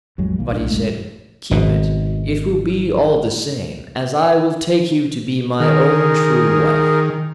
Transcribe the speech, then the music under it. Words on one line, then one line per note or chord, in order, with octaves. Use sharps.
But he said: 'Keep it; it will be all the same, as I will take you to be my own true wife.'
A1 F2 F#3 G#3
B1 E3 A#3
B1 D4
F#1 G#3 A3
G#1 B2
D#3 G#4 A#4